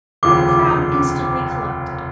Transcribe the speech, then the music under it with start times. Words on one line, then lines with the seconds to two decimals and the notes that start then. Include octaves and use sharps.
A crowd instantly collected.
0.23 F1 D#2 C#3 F3 D6